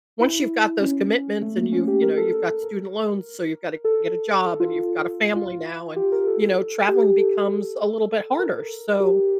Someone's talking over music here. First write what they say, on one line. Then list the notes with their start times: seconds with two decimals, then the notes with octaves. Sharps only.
once you've got those commitments and you've, you know, you've got student loans, so you've gotta get a job, and you've got a family now, and, you know, traveling becomes a little bit harder, so,
0.20 E4
0.81 C#4
1.42 A3
1.57 A#3
1.72 C#4
1.87 G4
2.02 A#4
2.17 A4
2.63 A#4
3.85 A4
4.45 A4
4.60 F4
4.76 F4
5.36 F4
5.96 G4
6.12 A#4
6.27 A4
6.88 G4
7.03 G4
7.18 A4
8.39 A#4
9.00 G4